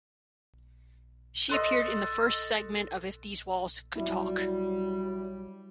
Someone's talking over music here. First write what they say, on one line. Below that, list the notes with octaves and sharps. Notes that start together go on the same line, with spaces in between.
She appeared in the first segment of "If These Walls Could Talk".
A4 D#5 C6 F#6
F#3 G3 E4